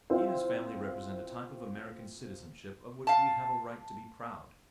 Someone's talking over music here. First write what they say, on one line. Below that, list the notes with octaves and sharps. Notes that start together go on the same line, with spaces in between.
He and his family represent a type of American citizenship of which we have a right to be proud.
C4 E4 F4 C5
F5 A5